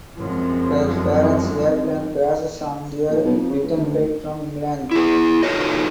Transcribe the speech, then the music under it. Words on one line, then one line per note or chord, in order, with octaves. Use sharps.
Her parent’s air plane crashes on their return flight from England.
F#2 F3 G#3 C4
A#1
B1
F2
C#3
C#2
D2
E4 G#4
D#4 F4 F#4 A4 C#5 D#5